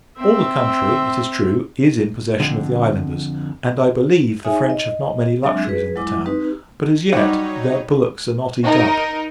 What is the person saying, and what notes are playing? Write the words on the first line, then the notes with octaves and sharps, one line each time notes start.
All the country, it is true, is in possession of the islanders; and, I believe, the French have not many luxuries in the town; but, as yet, their bullocks are not eat up.
C4 E5
F2 D3
D#4 G#4 C#5 E5 G#5
D#5
F#3 G#3 C4 D4 E5
G#4 B4
F#3 G#3 E4 D6
C4 D#4 G4 B4
F#3 G3 D#4 C#5 F#5
D#4 A#4